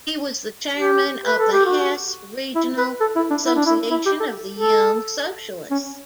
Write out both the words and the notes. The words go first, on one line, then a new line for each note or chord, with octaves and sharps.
He was the chairman of the Hesse regional association of the Young-Socialists.
G4
B4
A4
G4
F#4
E4
B4
A4
E4
D4
E4
D4
E4
E4
G4
A4
A4
C#4